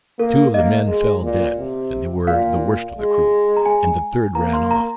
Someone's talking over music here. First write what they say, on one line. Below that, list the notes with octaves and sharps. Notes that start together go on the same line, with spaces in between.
Two of the men fell dead, and they were the worst of the crew, and the third ran off.
A#3 A#4
A#3 D#5
G#3
A#2
C3
A#2 F5
G#3
A#5
G#5
A#3 A#5
C6
A#5